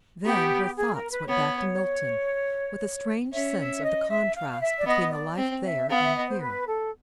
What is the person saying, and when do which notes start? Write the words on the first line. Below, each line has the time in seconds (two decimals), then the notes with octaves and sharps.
Then her thoughts went back to Milton, with a strange sense of the contrast between the life there, and here.
0.25 B3 G4
0.77 G#4
0.94 A#4
1.11 B4
1.27 B3 C#5
3.33 C#4 E5
3.59 E5
3.85 D#5
4.09 E5
4.35 F5
4.61 E5
4.79 D5
4.86 B3 D#5
5.12 D5
5.38 C4
5.64 E5
5.89 B3 F5
6.02 E5
6.15 D#5
6.28 C5
6.41 B4
6.66 A4